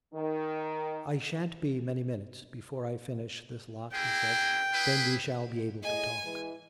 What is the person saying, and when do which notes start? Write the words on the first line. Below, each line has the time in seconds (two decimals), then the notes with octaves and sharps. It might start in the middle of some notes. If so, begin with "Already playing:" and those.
'I shan't be many minutes before I finish this lot,' he said; 'then we shall be able to talk.
0.14 D#3
3.93 A#3 E4 G#4 G5
4.72 E4 G#4 B4
5.83 A2 G#4 D#5 G#5
6.22 E3 G#3